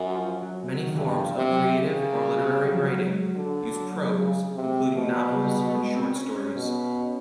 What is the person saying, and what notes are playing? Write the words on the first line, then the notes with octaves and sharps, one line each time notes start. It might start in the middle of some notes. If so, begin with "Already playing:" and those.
Many forms of creative or literary writing use prose, including novels and short stories.
Already playing: F#2
F3
F#3
F#3
D#3
G2 E3
F3
C3
F#3
C#3
G3
G3
F#3
F3
F#3
D3
C#3
C3
B2 F3
F#3
F3
G3
A3
G#3
C4
C#4
C#4
B2